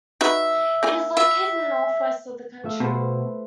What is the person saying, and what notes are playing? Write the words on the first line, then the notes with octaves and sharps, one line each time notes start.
It is located in the northwest of the country.
D#4 F#4 B4 E5
A#3 F4 G#5
E4 E5
A3 F4 E5
B2 B4 C5